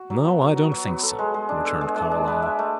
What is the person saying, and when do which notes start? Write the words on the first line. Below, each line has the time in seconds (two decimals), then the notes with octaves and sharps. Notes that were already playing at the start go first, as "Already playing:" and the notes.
"No, I don't think so," returned Carlyle.
Already playing: F#4
0.10 F#3
0.25 B3
0.41 F#4
0.56 F#3
0.72 F#3
0.88 B3
1.03 A4
1.19 G#3
1.34 G#3
1.49 D4
1.65 A4
1.81 G#3
1.96 G#3
2.11 D4
2.28 B4
2.42 E5
2.59 A3